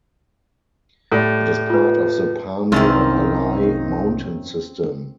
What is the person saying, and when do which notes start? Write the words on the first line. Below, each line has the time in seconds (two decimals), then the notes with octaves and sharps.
It is part of the Pamir-Alai mountain system.
1.11 A2 G3
1.70 F4 B4
2.72 C2 F#2 D#3 C4 C#4 D#4 F4